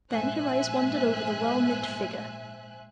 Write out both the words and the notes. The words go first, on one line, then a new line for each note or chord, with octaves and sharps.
Then her eyes wandered over the well-knit figure.
A#1 G#2 C5 E5 G#5 F#6